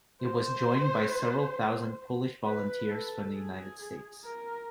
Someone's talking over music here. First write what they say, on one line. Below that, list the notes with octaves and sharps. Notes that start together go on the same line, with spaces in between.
It was joined by several thousand Polish volunteers from the United States.
C5
B4
A4
G#4
A#4